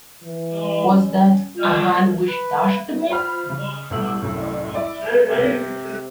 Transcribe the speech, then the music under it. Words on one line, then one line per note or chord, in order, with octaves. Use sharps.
Was that a hand which touched me?
E3
C#4
F4
B4
F4 C5 B5 F6
C#3
A1 B2 A3 E6 F#7
C2 F#2 A2
E4 D5
C3 C5